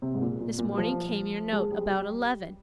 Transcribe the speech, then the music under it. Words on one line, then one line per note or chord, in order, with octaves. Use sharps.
This morning came your note, about eleven.
C3
G#2
A#2
A#2
A#2
G3
F3
G#3
G3
G3